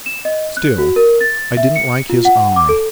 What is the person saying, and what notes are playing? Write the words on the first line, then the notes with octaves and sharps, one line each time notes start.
Still, I didn't like his eye.'
E7
D#5
F#6
F#4
A#4
A6
E5
C#7
F4
F#5
D6
A4